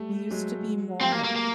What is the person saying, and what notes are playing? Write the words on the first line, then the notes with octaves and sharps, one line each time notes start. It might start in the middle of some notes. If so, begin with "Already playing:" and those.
We used to be more
Already playing: G3 A3
F#3 G#3
G3 A3 C4
A#3
A#3
A#3